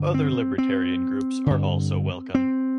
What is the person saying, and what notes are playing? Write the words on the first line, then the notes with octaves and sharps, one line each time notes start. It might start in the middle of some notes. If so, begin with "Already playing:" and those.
Other libertarian groups are also welcome.
Already playing: G2 D3
C4
C4
G2 D3
C4